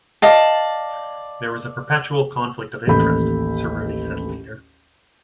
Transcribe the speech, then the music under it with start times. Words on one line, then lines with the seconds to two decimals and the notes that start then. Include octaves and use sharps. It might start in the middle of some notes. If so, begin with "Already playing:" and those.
"There was a perpetual conflict of interest", Cerruti said later.
0.22 D5 D#5 F5 A5
2.87 A1 D#2 A4 B5 G6